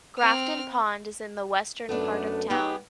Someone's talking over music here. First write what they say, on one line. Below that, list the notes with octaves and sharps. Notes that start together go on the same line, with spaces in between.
Grafton Pond is in the western part of town.
C4 F6
F#2 A3 B3 D4 A4
B3 D#4 G4 G#4